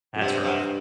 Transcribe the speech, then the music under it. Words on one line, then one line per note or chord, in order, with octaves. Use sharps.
That's rough.
F2
G2 C3
C3